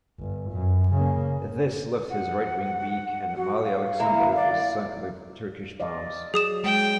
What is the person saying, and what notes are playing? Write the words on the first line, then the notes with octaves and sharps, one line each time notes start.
This left his right wing weak, and "Malyi Aleksandr" was sunk by Turkish bombs.
G1
F#2
C#3 A#3
F#5
F#4
F5
D3 A#3 E4 A#5
D5
D5 D#5 F5
F#3 G#4 D#6 E7
G#3 G5